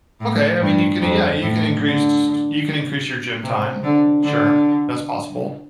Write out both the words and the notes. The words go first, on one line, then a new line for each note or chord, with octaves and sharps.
Okay, I mean, you can yeah, you can increase you can increase your gym time, sure, that's possible,
A2
G2
F2
A2
D3
C3
D3
D3